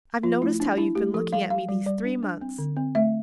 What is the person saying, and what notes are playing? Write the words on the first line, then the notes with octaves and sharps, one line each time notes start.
I've noticed how you've been looking at me these three months.
F3 F4
A3 E4
D4
D4 E4
A3 G4
F3 A4
G3 F5
G3 F5
G3
G3 D5
D4
D4
C4
D3
C4
A3 E5